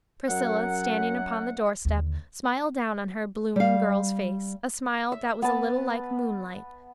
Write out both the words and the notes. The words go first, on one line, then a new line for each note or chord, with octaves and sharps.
Priscilla, standing upon the door-step, smiled down on her blooming girl's face, a smile that was a little like moonlight.
F#2 F#3 F#5
D#2 D3
G3 F5
E5
B3 B4 A5